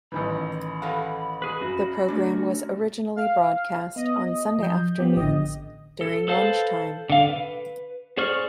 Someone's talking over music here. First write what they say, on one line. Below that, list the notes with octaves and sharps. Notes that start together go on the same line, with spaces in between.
The programme was originally broadcast on Sunday afternoons during lunchtime.
A1 D#3 E3 B5
A4 F5 F#5
G#4 B4
F#2 F#4
A3 D4
F5
B3 D#5
F3 G6
F3 B3 C#4 G4
A1 D3 D#5
A4
A4 B4 C5 F5 A5
D3 F5
B4
G#4 C5 D5 C#6 F6